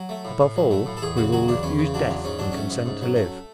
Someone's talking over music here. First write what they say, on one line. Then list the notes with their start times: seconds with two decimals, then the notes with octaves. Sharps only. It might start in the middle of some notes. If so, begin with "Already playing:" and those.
Above all, we will refuse death and consent to live.
Already playing: F#3
0.09 A3
0.25 A2
0.40 A2
0.56 F#3
0.71 A3
0.86 A2
0.97 A4
1.02 E2 G#4
1.17 C#3 F#4
1.32 F#3 F#4
1.48 E2 D4
1.63 E2 C#4
1.79 C#3
1.94 F#3 D4
2.09 E2
2.24 G#2 C#4
2.39 F#3 D4
2.52 A3 C#4
2.70 G#2
2.86 G#2
3.01 F#3
3.16 A3